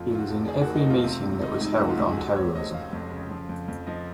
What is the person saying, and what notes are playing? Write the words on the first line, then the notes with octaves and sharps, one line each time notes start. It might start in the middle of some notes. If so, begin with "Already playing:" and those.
He was in every meeting that was held on terrorism.
Already playing: F2 F4
D#3
F4
F#4
F1
D#3 G#4
A#3 F#4
D#4
F1 F4
C3 F4
C#2
D#3 D#4
C#2 D#4
C#2 F#4
F4
C#2
G#4
F1 F#4
C5
F1 C#5
F1 D#5
F1 F5
F2
C#3
F3
F2
F2
F3 D#5